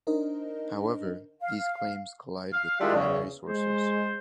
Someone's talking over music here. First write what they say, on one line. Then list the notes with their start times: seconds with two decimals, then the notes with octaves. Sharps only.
However, these claims collide with primary sources.
0.07 D4 D#4 A#4 C5 D#5
1.41 F5
2.53 F5
2.80 D#3 G3 G#3 D4 E4 F4
2.95 E2 C#3
3.49 G#3 C5